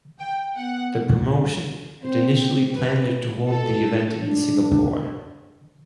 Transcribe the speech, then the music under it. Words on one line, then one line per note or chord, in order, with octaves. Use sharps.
The promotion had initially planned to hold the event in Singapore.
G5
B3 F#5
C4 C5
B4
A4
D4